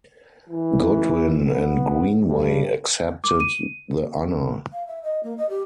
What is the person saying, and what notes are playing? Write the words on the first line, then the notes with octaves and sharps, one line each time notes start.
Goodwyn and Greenway accepted the honour.
E3
B3
G2
D6
D#7
F5
E5
D#5
A#3
D#5
G4